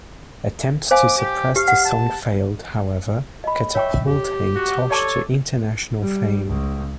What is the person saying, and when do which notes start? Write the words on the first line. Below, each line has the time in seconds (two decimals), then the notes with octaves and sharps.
Attempts to suppress the song failed, however, catapulting Tosh to international fame.
0.91 C5 F5 G#5 D6
1.17 G4
1.56 G4 F5
1.68 F#5
1.85 A5
3.44 D#5 B5
3.75 C#5 E5 G5 C#6
4.07 G4
4.55 F#4
4.91 A4 C#5 D5 A5 D6
6.01 G3
6.47 C#2